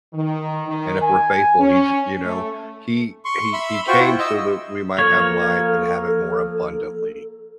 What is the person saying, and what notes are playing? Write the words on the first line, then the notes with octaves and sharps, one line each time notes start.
and if we're faithful, he's you know, he he he came so that we might have life, and have it more abundantly,
D#3
D#3
G#5
C#4
A3
C6 C#6
E5 B5 C6 E6
F4 F#4 C5 G5 C#6
E4
D#5 E6
F3 A#3 A4 C#5